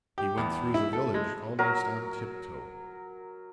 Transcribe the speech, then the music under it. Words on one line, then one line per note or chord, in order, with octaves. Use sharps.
He went through the village almost on tiptoe.
G4
E2
E4
A4
G#3
F#3 A#4